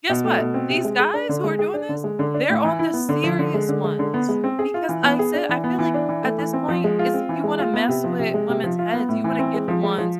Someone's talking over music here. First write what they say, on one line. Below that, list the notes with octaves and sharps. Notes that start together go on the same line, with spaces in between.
guess what? These guys who are doing this, they're on the serious ones, because I said I feel like at this point is you wanna mess with women's heads, you wanna get the ones
B2
A3
B2
C4
C3
G#3
G#4
D4
D3
G#3
G#4
D4
D3
G#3
D3
D4
A2
E3
E4
B3
D3
F3
D3
G#3
D3
G#3
D3
B3
G#3
C4
G#4
F4
E3
B3
G#4
D4
E3
B3
E3
D4
E3
A3
E3
C4
F3
G#3
F4
C4
E3
G#3
F4
B3
C3
F3
C3
G#3
C3
F3
F4
B3
A2
E3
C4
G#3
F3
G#3
F3